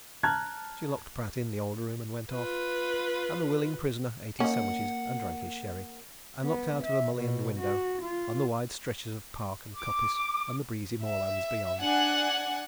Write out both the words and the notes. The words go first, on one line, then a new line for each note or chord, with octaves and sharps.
She locked Pratt in the old room and went off, and the willing prisoner ate his sandwiches and drank his sherry, and looked out of a mullioned window on the wide stretches of park and coppice and the breezy moorlands beyond.
A5 A#5 F6 F#6 G#6
F4 B4
A#3 C#4 D#4 F#5
B3
E5
B2
F#4
F4
D6
E5
D4 F#5 G#5